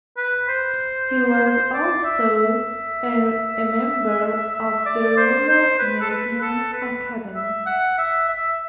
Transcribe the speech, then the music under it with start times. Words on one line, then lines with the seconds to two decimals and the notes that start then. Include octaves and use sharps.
He was also a member of the Royal Canadian Academy.
0.17 B4
0.48 C5
1.74 D5
2.05 E5
2.36 E5
4.54 E5
4.86 D5
5.17 C5
5.48 C5
5.79 B4
6.01 A4
6.11 B4
6.42 A4
6.73 B4
7.35 E5
7.66 F#5
7.98 E5
8.29 E5